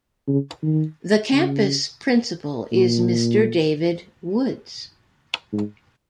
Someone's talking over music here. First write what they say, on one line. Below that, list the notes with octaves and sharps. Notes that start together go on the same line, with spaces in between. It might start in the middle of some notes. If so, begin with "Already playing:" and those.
The Campus Principal is Mr David Woods.
C#3
D#3
C#3
A#2
G#2